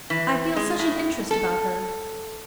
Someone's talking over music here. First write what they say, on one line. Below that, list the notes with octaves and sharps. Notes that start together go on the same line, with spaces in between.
I feel such an interest about her.
E3
G#3
A2
A4